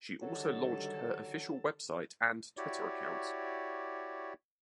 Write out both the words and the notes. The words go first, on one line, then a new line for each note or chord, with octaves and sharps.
She also launched her official website and Twitter account.
D3 D#3 F#3 G3 A4 A5
E4 F#4 G4 C#5 D5